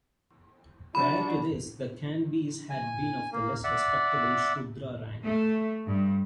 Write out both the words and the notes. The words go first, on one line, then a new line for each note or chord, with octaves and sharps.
Prior to this, the Kanbis had been of the less respectable Shudra rank.
F#3 D4 B5
G#5
A#3
D5 E5 F#5
A3
G2